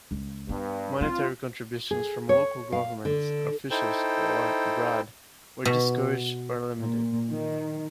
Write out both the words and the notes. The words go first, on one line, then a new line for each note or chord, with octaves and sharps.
Monetary contribution from local government officials or abroad were discouraged or limited.
C#2
G2 B3
C4 F4
G#4
C#5
F5
D3
D#4 E4 A4 C5 G5
B2
A#2
D#3